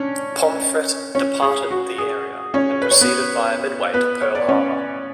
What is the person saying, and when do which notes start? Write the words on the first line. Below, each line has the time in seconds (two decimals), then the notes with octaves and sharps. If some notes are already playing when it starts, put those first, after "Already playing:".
"Pomfret" departed the area and proceeded via Midway to Pearl Harbor.
Already playing: C#4 D4 C#5
1.15 C#4 C#5
1.42 G#4
1.71 F#4
1.98 G#4
2.54 C#4 C#5
2.82 B4
2.91 C#5
3.01 B3 B4
3.94 B3 B4
4.21 C#5
4.35 D5
4.49 C#4 C#5